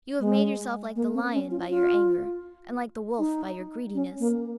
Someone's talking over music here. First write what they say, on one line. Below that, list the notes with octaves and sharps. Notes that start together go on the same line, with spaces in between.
You have made yourself like the lion by your anger, and like the wolf by your greediness.
G#3
A#3
C4
C#4
F4
F4
D#4
C#4
A#3